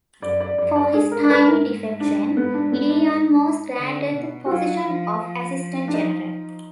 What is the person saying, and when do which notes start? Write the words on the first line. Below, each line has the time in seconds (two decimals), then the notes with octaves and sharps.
For his timely defection, Li Yan was granted the position of "Assistant General".
0.22 F#2 D5
0.40 D5
0.58 F#2 D5
0.76 D5
0.94 G#2 G#4
1.11 A#4
1.24 D5
1.30 B4
1.47 A#4
2.00 D4
2.37 B3
2.54 D4
2.72 B3
2.90 D4
3.07 D#4
3.79 D3
4.14 B2
4.46 F#4
4.50 F#3 F4
4.86 F3
5.21 F3
5.88 D4
5.94 D#4